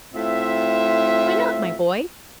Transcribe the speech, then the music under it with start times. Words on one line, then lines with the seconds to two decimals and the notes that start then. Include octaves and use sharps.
"Why not, my boy?"
0.14 A2 C4 F4 E5